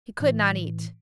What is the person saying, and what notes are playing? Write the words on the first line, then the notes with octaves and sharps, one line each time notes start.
He could not eat.
A2 E3